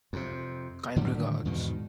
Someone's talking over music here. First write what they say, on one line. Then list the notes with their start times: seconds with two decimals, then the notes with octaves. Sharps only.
Kind regards.
0.13 F2 C3
0.96 A2 D3 D#3 G3
1.45 E2 G#2 B2 D#3